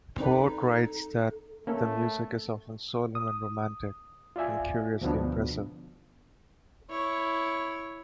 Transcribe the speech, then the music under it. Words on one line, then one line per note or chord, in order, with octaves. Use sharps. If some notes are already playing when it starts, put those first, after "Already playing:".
Porte writes that the music is often solemn and romantic, and curiously impressive.
C4 D4 D#4 A4 B4
A3 A#3 C#4 A4
D#6
F4 D5 E5 G#5
D2 B2 F3 B3 D4
E4 C#5